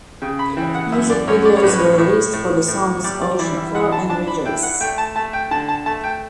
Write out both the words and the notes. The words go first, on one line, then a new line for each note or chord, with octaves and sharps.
Music videos were released for the songs "Ocean Floor" and "Rejoice".
C#3 G5
B5
E3 G5
F#5
F#2 E5
D5
F#2 C#5
D5
C#5
A2 B4
C#5
A2
A2
A2
G3 D5
D5
E3 D5
E5
E3 F#5
A5
D4 A5
B5
E4 G5
F#5
A3 G5
A5
A3 A5
G5
D3 A5
A5
A3 A5
G5